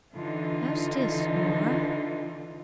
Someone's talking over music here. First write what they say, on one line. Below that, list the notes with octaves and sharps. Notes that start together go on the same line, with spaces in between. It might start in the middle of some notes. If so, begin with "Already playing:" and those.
"How's this, Norah?"
D3 E3 D#4 F4